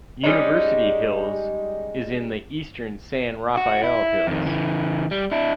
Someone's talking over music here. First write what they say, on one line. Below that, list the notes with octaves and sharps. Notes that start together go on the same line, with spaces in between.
University Hills is in the eastern San Rafael Hills.
G3 G#3 C#4 D#4
F#4
E4
F2 D#3
C#3 E3
G3
D4 E4